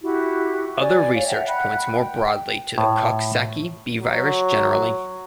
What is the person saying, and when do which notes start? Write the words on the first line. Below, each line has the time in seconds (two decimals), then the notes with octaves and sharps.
Other research points more broadly to the Coxsackie B virus generally.
0.02 E4 F#4 G4
0.80 D5 G#5
1.14 C#5 F5
1.27 E5 F#5 G5 A#5
1.47 F#5 G5 B5 F#6
1.94 G5
2.78 A2
4.01 F#3